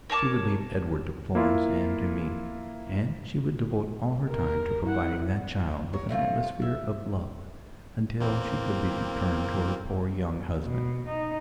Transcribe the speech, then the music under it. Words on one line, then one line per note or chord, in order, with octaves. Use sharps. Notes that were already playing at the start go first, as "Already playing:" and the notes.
She would leave Edward to Florence and to me--and she would devote all her time to providing that child with an atmosphere of love until she could be returned to her poor young husband.
A#4 C#5 A5 D6
A#3 E4 F4
A#4
E4 F#5
A#4 C#5
A3 C4 E4 F4
E5
E2 A#3 C4
B2
D#4